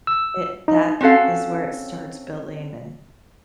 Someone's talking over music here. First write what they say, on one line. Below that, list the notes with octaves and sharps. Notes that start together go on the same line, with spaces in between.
it that is where it starts building, and
E6
D#4
C4 C#4 F#4 A4 F5